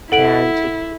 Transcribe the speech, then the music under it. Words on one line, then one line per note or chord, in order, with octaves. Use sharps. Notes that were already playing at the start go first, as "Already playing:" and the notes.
and take the
E4 A4 F#5 D7 F#7